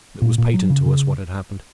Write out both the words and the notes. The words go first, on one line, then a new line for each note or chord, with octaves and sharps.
It was patent to us what had happened.
A#2
A#2
F#3
C#3
C#3